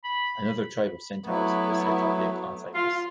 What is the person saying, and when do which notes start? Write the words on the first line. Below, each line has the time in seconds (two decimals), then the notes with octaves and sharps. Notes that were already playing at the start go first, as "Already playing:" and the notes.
Another tribe of centaurs was said to have lived on Cyprus.
0.04 B5
1.26 F#3 A3 B3 E4
2.73 F4